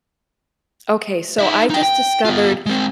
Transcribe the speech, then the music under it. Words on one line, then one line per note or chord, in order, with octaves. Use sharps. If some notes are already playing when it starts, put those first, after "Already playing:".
Okay, so I just discovered
D#4 E5
D#4 G5
G5
B3 F4
G#3 C4